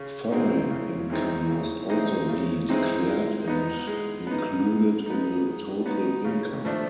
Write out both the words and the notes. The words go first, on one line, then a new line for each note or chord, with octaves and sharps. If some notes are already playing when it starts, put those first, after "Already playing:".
Foreign income must also be declared and included in the total income.
Already playing: C#3
E3 G#3 C4 D#4
C#3
E3 G#3 C4 D#4
C#3
E3 G#3 C4 D#4
C#3
E3 G#3 C4 D#4
G#3
B3 D#4
G#3
B3 D#4
G#3
B3 D#4
G#3
B3 D#4
C#3
F3 A3 D4